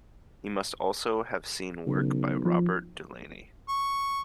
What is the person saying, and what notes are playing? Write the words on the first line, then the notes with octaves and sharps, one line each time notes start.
He must also have seen work by Robert Delaunay.
B1 C#3
F3
C#6